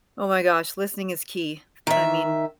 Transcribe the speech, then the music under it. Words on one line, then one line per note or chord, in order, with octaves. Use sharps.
Oh my gosh, listening is key. I mean,
D#3 E5